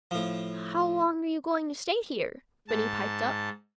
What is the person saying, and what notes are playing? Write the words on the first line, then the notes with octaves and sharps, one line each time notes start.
"How long you going to stay here?" Benny piped up.
A2 F3
G#2 A5